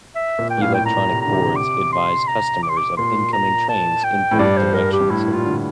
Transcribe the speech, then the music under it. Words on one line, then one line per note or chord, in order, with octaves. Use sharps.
Electronic boards advise customers of incoming trains in both directions.
E5
A#2
G5
A#2
A2 F5
G5
A2 A#5
C3
D3 A#5
C3
D6
C6
A#5
D6
C6
D6
A#2 C6
A#5
A5
G5
A2
G2 D5
C5
A#4
G4
G2
A2 E4
A#2
F4
D3